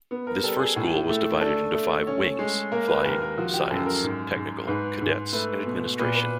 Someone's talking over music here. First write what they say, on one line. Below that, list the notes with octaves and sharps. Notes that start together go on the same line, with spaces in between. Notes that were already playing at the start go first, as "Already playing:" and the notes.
This first school was divided into five "wings": Flying, Science, Technical, Cadets and Administration.
B3
A#4
G3 A4
G#4
A2
A3
D4 A4
A3
C#4
G#3
A#3 A#4
B4
D#2 A#4
A#4
F3 F#4
G4
F#2 A4
A#4
G#2
G#2
G#2 B4
G#2
A3 B4
B2
A#2 B4
B4